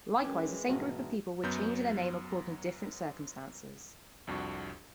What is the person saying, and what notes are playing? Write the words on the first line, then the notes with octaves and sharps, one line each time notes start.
Likewise the same group of people would change their name according to different circumstances.
E3 F#3 G#3 C#4 A#4 G5 D6
G2 A#2 D#3 F#3 A#3 F#4 E5
F#2 F#3 B3 G6
C2 F2 D4 F#4 C#6